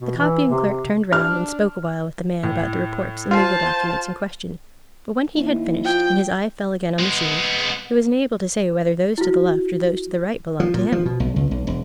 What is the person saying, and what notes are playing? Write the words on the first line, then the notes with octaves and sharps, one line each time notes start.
The copying-clerk turned round and spoke awhile with the man about the reports and legal documents in question; but when he had finished, and his eye fell again on the Shoes, he was unable to say whether those to the left or those to the right belonged to him.
B2
E3
C3
C3
D4 F6
A2
F4 C5 A5 C7
D#2 E4
F3 G5
G#3 B3
E4 F#4
F3
A#2
F3
B2
B1
C#2
B1
E1